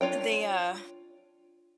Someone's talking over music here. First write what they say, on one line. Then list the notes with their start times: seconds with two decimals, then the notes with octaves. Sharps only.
they, uh
0.01 D4 F4 C#5 G5